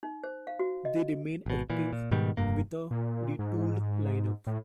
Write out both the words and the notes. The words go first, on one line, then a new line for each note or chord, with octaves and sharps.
They remain active with a retooled line-up.
D#4
C5
F5
F#4
D#5
G#1 B2
A#2 E3
A#2
G#2 B2 D#3 G3
F1 G2 A#3
A#2
G#2
A2